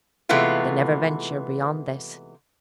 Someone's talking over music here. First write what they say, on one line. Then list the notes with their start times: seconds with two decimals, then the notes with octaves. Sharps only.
They never venture beyond this.
0.29 C3 E3 G#3 A3 B3 F4